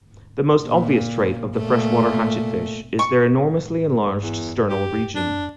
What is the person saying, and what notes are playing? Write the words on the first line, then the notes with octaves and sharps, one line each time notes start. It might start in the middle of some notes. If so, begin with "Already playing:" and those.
The most obvious trait of the freshwater hatchetfish is their enormously enlarged sternal region.
A#2
A#2 A3
C#6
E2
G4
D4